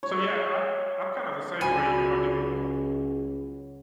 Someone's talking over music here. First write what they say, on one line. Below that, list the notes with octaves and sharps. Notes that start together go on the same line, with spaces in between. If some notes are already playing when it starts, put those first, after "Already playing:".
So, yeah, I I'm kind of the same way, you know. I do a
C#5
C#2 F#3 G#5 B5